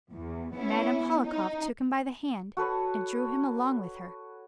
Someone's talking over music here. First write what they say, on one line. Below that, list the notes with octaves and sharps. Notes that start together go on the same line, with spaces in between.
But Madame Hohlakov took him by the hand and drew him along with her.
E2
B3 C#4 E4
D#4
F#4 A4 B4 C#5